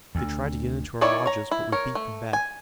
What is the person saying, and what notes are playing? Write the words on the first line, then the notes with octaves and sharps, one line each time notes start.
They tried to get into our lodges, but we beat them back.
D2
D#3 E4 C#5 D5
C#5 A#5
E4
A#4 C#5
A3
G#5